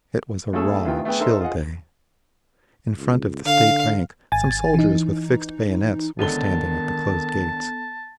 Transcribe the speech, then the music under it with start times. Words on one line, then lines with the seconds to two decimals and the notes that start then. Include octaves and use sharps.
It was a raw, chill day. In front of the State Bank some soldiers with fixed bayonets were standing at the closed gates.
0.53 D#2 A3 C#4 E4 G#4 A4
0.85 D2 C3 D#3 E3 F4 G5
1.05 A3 B3 G#4 G5
1.19 D#4 A4 A#4 C5 E5 C6
1.40 F4 G#4 D#5 F#5
2.97 C#2
3.45 D3 F5
4.32 G#1 G#5 A6
4.74 E3 D#4
6.19 C#2 D3 D#3 B3 A4 A5 G7